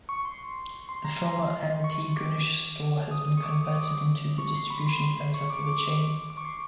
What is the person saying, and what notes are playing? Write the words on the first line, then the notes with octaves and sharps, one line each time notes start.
The former Antigonish store has been converted into the distribution centre for the chain.
C#6
C6
C6
A#5
C6
C#6
D6
D#6
D#6
C#6
D6
D#6
D6
C#6
C6
B5
C6
C6
C#6
D6
D6
D6
C#6
C6